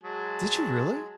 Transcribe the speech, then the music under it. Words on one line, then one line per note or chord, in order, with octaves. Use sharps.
Did you really?
F#3 G#3 A5